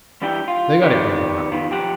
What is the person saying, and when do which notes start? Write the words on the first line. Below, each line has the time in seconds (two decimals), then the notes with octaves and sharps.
They got it right enough.
0.22 E3 G3 D4 E4 G5
0.48 F4
0.82 D#3 F3 B3 D4 G4
1.52 D#3 B3 F4
1.70 B1 F3 G4 A4 F#5